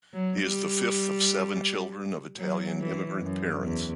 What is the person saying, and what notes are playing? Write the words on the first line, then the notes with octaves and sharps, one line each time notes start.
He is the fifth of seven children of Italian immigrant parents.
F#3
G3
F#3
E3
F#2
E2